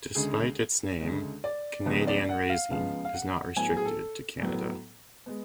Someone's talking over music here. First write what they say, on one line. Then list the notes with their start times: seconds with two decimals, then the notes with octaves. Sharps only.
Despite its name, Canadian raising is not restricted to Canada.
0.15 D2 C#3 G#3 G#4
1.01 D2 C#3 G#3
1.44 D5
1.86 C#2 C#3 F3 G#3 B3
2.07 D5
2.29 F#5
2.50 F5
2.70 C#2 C#3 F3 G#3 B3 F5
3.05 F5
3.14 F#5
3.56 A2 F#3 B3 G#5
3.77 G#4
3.85 A4
4.41 A2 F#3 B3
5.26 G#3 B3